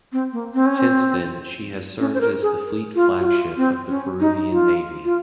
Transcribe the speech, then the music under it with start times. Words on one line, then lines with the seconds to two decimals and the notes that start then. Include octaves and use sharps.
Since then, she has served as the fleet flagship of the Peruvian Navy.
0.12 C4
0.33 A#3
0.54 C4
0.66 C#4
0.78 C4
2.00 C#4
2.14 C5
2.21 A#4
2.42 G#4
2.95 F4
3.19 F#4
3.25 F4
3.57 C4
3.89 C#4
4.20 D#4
4.52 F4
5.04 F4